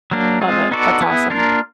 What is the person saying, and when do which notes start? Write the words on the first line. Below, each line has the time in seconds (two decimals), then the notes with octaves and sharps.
Love it. That's awesome.
0.11 F#3 A#3 D4
0.41 G#3 C4 F4 G#4
0.71 B3 D#4 F#4 A4 D5
1.01 B3 E4 G#4
1.30 A#3 D4 F4 A#4